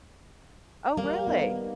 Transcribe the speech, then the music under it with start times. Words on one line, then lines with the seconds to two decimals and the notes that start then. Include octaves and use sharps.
Oh, really?
0.97 G3 A#3
1.27 B3 D#4